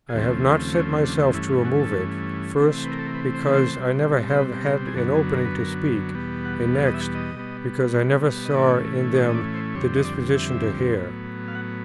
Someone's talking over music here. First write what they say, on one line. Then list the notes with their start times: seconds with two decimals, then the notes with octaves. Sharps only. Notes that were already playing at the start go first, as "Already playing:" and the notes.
I have not set myself to remove it, first, because I never have had an opening to speak, and, next, because I never saw in them the disposition to hear.
0.09 G#4
0.14 D#2 C#3 F3 A3 C4 G4
0.44 G4
0.74 C#4
1.04 D4
1.34 G2 E3 A3 C#4 E4
1.49 F4
1.65 F#4
1.80 A4
2.54 C3 E3 A3 C4
2.85 B4
2.92 A#4
2.99 A4
3.06 A#4
3.14 B4
3.34 C5
3.49 B4
3.54 C5
3.74 B2 G3 C4
4.30 C5
4.35 B4
4.64 A#4
4.87 G#4
4.94 F#2 D3 F#3 B3 A4
5.15 G#4
5.35 A#4
5.45 B4
5.56 A#4
6.14 E2 B2 G3 B3
6.45 F#5
6.75 F5
6.86 D#5
6.94 E5
7.15 D#5
7.35 B2 G3 B3
8.45 D#5
8.54 A2 E3 A3 C#4 D5
9.15 D#5
9.29 D#5
9.35 D5
9.55 C5
9.75 F2 D3 G3 C4 C#5
9.96 D#5
10.05 D5
10.35 E5
10.95 A2 F#3 B3
11.48 F5
11.55 F#5